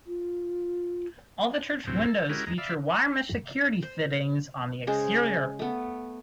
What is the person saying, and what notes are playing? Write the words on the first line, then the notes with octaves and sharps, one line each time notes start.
All the church windows feature wire mesh security fittings on the exterior.
F4
D2 A2 C3 F#3 C4
A4
G#3 C#4 E4 F#4 G4 A#4
E2 G#3 A#5
D5 E5 F5 B5
C5
C#3 G#3 G#4 C5
A3 B3